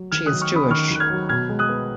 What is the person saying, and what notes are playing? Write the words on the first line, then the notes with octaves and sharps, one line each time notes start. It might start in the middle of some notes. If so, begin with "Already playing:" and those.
She is Jewish.
Already playing: F#3
D#3 F6 G#6
F#3 D#6 F#6
C#6 F6
C#4 B5 D#6
D#3 C#6 F6
D#3 F#6
F6 G#6
F#3
B2 F6 G#6
G#3
D#6 F#6
B3